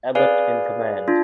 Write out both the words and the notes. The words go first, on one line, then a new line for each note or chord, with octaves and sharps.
Ebert in command.
G#4 B4 D5 F5 G#5
D4 F4